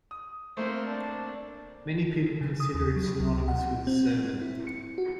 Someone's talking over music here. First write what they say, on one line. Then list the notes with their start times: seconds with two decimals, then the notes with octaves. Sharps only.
Many people consider it synonymous with a sermon.
0.11 D#6
0.57 A3 A#3 C4 C5
0.87 D4
2.41 C#3
2.60 D#6
2.74 D#2
2.96 F#3
3.19 C#2
3.48 F#5
3.87 C4
4.41 E4
4.67 C#7
4.98 F#4